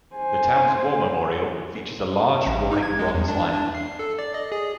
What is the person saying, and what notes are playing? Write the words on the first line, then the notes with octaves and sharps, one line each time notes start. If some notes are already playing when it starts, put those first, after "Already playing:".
The town's war memorial features a large roaring bronze lion.
C5 G#5
A1
D#4
G#6
G#3
E2
D4
D4
C7
A4
D5
D#5
G#4